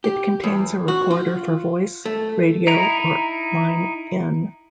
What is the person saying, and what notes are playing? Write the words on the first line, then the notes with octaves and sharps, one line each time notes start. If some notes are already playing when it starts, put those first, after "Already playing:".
It contains a recorder for voice, radio or line-in.
G4
E2
F#4
F4
A3
D#4 E4 A#5